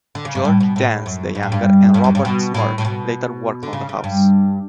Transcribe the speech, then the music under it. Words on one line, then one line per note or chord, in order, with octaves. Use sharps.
George Dance the Younger and Robert Smirke later worked on the house.
D3
C#3
G2
A2
B2
A2
F#2
G2
A2
G2
G2
F#2
G2
B2
A2
A2
B2
D3
C#3
C#3
G2